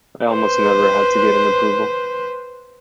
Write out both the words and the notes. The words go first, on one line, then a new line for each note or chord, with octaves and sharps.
I almost never had to get an approval.
B4 C5